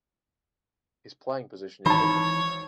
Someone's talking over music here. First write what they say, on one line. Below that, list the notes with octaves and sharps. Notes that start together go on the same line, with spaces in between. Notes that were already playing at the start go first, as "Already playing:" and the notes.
His playing position is hooker.
G#1 E3 C#5 A5 B5